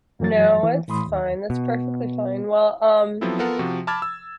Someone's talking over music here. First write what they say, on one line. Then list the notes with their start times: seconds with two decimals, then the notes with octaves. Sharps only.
No, it's fine, that's perfectly fine, well, um
0.20 F#2 E3 F#3 A6
0.63 E3
0.88 A2 E3 A3 B5 C6 D#6
1.07 D#2
1.50 B2
3.21 F3 F#3 B3 C4 E4 A4
3.39 B3 F4 A4 A#4 F#5
3.59 C3 F3 F#4
3.87 A5 B5 D6 F6 G#6 A6
4.02 E6